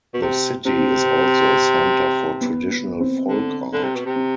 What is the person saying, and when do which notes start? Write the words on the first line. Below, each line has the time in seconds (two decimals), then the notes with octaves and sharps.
The city is also a centre for traditional folk art.
0.14 B2
0.22 C3
0.65 C3 C4
2.41 B3
2.71 B3
3.00 C4
3.28 D3
3.73 D3
3.84 C3
3.95 B2
4.06 C3
4.16 C4